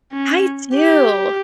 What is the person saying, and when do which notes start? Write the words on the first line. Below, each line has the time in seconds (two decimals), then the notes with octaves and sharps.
I do.
0.13 C#4
0.75 G4